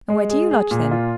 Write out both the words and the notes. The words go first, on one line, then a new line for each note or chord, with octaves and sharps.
"And where do you lodge, then?"
G#3
G#4
G#4
A#2
F4